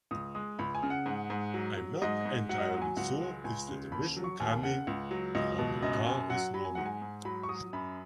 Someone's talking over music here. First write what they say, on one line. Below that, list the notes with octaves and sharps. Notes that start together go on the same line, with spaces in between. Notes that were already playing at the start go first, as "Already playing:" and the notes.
I'm not entirely sure if the emission coming from my car is normal.
C#2 D#6
G#3 D#6
C#2 B5
G#5
C#3
F#5
G#2
G#2
F#3
F#3
G#2 D#5
G#2
F#3 F#5
D#5
F#5
F#3
G#5
C#2 F#5
G#3
C#2 G#5
C#3
D#2 B5
F#3
C#6
D#2 G#5
C#3 F#5
C#2
F#3
C#2 D#5
B2
F#2 D#5
F#2 G#5
F#3 F#5
F#3 B5
G#5
G#2 F#5
G#5
G#2
F#3 B5
C#6
F#3 D#6
F#2 B5